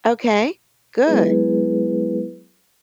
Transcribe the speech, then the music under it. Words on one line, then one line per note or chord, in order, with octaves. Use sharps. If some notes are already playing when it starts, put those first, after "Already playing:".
Okay. Good.
F#3 G#3 B3 E4 G#4 B4